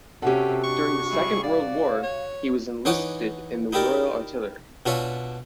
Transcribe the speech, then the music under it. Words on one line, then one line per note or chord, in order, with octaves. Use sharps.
During the Second World War he was enlisted in the Royal Artillery.
C3 C#4 F#4 G4 A4 F#5
D4 C#6
G3 E4 G#4
F#4 D5 F5
C#5
E3 D#4 C#5 F#5 D6 D#6
D#4 E4 G4 A#4 D5
B2 D4 F4 C#5 E5 G#5